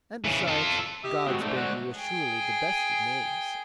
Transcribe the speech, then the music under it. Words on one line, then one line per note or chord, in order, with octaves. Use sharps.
And, besides, God's baby was surely the best of names!
C#3 E3
F4 A4
G4 D#5 E5
G#3 C4 F#4
G#2 G#3 A3 C5 D5
F#4
G#4 G5